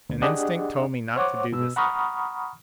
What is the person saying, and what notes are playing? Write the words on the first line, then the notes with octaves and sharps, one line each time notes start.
An instinct told me not to do this thing.
D2
D4 G4 G#4 D5 D#5 F#5
C5 C#5 F#5 D6
B2 E6
F#5 A#5 B5 C#6 D#6 F6